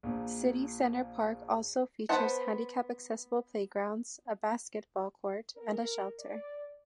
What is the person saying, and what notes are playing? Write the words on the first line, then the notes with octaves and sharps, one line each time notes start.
City Center Park also features handicap accessible playgrounds, a basketball court, and a shelter.
A#1 A#2
B3 C5 F#5 A5
A#4
D5